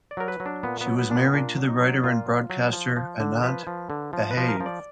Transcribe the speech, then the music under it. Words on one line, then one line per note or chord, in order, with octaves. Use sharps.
She was married to the writer and broadcaster Anant Bhave.
D5
F#3 A#4
B4
F#3
D4
A#2 B3
B3
F#3
B3
A#2 D4
B3
A#2 D4
F#3
D#4
F#3
A#2 F4
F#3
F#3
F3
F3
D3
F3 B4
F3
D3
F3
B4
F3
A#4
F3
D5